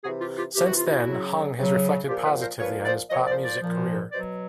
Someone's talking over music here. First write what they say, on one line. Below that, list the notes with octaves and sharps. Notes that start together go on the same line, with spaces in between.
Since then, Hung has reflected positively on his pop music career.
C3 E3 F#4 G#4
F4 G4
F4 G4
C3 E3 G4
F#4
F4
E4 F#4
C#3 F#3
C#3 F#3
A#2 F3 F4 G4
A4 B4
A#4 C5
A#2 F3 B4 C#5
C5 D5
A#2 F3 C#5 D#5
C5 D5
C5 D5
A#2 F3
B2 F#3 C5 D5